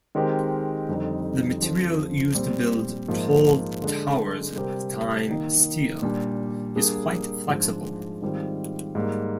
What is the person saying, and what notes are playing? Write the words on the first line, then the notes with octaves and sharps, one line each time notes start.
The material used to build tall towers at the time, steel, is quite flexible.
D#3 G#3 C4 G4 A#4
F2 D3 G3 C4 D#4
D3 F3 C4
A#2 G3 C4
G#2 F3 A#3
D3 G#3 D4
C3 G3 C4 G4 A#4
D#3 A#3 D#4
A#2 G3 D4
G3 A#3 D4 G#4
G#2 F3 G#3 D4
G#2 D#3 G3 C4 F4
G#2 G3 A#3